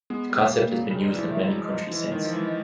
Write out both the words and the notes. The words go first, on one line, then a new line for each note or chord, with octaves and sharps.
The concept has been used in many countries since.
G#3 B3
G3
G#3 A#3
F#3
C#3 G3
G#3
G3
E3
F3
A3
G#3
F#3 G3
G#3
F3
E3
D#3
F3
E3